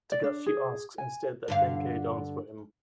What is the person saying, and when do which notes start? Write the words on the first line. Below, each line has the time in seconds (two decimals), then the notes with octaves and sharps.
Togashi asks instead that Benkei dance for him.
0.12 D5
0.24 D4
0.46 G#4
0.98 G#5
1.48 G2 D3 F5